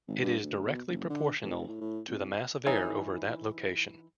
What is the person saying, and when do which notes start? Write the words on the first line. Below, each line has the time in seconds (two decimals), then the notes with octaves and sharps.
It is directly proportional to the mass of air over that location.
0.08 G#1
0.22 G2
0.42 D2
0.66 B2
0.88 F#1
1.10 D3
1.42 F1
1.68 A2
1.80 A2
2.08 C2
2.66 E3 D#4 C#5